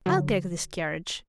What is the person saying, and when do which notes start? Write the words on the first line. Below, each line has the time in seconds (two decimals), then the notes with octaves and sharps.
I'll take this carriage.
0.06 D3 F#3